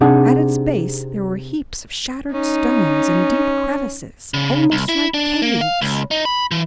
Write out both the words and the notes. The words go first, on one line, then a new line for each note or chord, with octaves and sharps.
At its base there were heaps of shattered stones, and deep crevices almost like caves.
C3 D4 D#4 G#4 F#5
C#4 D#4
C#3
C2
E4
D4
A#3
F5
C#2
D#4
B5
E3